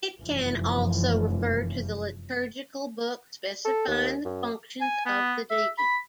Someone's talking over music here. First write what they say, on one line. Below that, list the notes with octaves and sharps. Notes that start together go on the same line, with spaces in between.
It can also refer to the liturgical book specifying the functions of the deacon.
F1 F#2 E3 F3
A4
D#2
F#2
G#5
B3
E5
B5